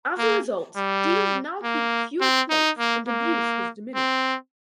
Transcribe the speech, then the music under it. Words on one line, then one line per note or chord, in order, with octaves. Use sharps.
As a result, dealers now keep fewer plates and abuse has diminished.
A#3
G3
A#3
C4
D#4
A#3
A#3
C4